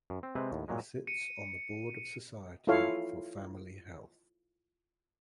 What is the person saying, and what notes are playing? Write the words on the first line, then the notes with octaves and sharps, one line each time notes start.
He sits on the board of Society for Family Health.
F#2
C4
C3 G#3 C4 B4
D#2 A2
A#2 F#3 G#3
C#7 D#7
E4 F4 A4 C#5 F5